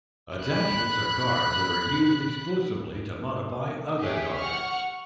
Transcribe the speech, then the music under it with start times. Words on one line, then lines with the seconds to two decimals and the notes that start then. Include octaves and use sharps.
Attachments are cards that are used exclusively to modify other cards.
0.43 B5 F#6
4.00 G4 G#4 C#5 E5
4.36 F#5 C#6 F6